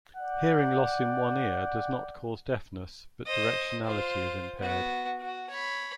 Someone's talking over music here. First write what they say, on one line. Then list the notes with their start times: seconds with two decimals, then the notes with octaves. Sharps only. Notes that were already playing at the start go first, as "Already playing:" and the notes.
Hearing loss in one ear does not cause deafness but directionality is impaired.
0.17 D5 F#5 G5
3.27 C5 D#5
3.85 F4 C5
4.59 B3 F#4
5.21 F#4
5.50 C#5 B5